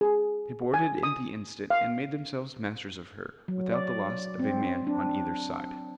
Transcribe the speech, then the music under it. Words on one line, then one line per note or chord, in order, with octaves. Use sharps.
They boarded in the instant, and made themselves masters of her, without the loss of a man on either side.
G#4
G#5
D#6
F5
F#3
D5
C4
D4